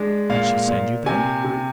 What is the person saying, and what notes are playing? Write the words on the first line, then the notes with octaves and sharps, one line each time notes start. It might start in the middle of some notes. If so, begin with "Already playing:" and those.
"Did she send you, then?"
Already playing: G#3 D4
A#2 F5
A#2
C3 G#5
C3